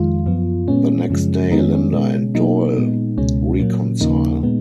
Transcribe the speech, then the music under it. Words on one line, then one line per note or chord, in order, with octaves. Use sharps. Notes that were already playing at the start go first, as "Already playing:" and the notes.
The next day, Linda and Doyle reconcile.
Already playing: F2 D#3 G#3 F4
F#2 F3 B3
A#2 G#3 B3 C#4
F#2 C#3 F3 G#3
F2 D#3 G#3 B3 D#4
C#4
C#4
B2 G#3 B3
B2 F#3 A#3 D#4
A#2 G#3 B3
C#2 B2 G#3 C#4
A#2 F#3 A#3
D#2 C#3 F3 A#3 D#4
A#2 G#3 B3